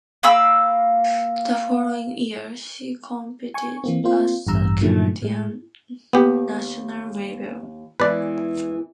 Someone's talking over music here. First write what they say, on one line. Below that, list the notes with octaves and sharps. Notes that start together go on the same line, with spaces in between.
The following year, she competed at the Canadian national level.
A#3 F5 B5 E6
G#5 C#6
E3 A#3 C4
A#3 C4 F4 C5
A1 E2 G2 A#5 E6
G2 A#2 D3 D#3 F#3 A3
A2 G#3
D#2 B3 G4
E2 E3 G#3 B4 D5